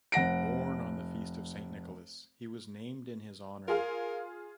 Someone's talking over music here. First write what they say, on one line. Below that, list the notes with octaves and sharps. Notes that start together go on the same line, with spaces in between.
Born on the feast of Saint Nicholas, he was named in his honour.
F1 F#5 A#6 D7
F4 G#4 A#4 F5